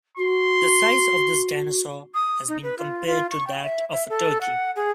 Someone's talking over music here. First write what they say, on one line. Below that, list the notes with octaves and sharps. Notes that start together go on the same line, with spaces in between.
The size of this dinosaur has been compared to that of a turkey.
F#4 C6
D#6
D#4
B4
F4
F4
C#6
G5
E5
E5
A4
F#5
G#4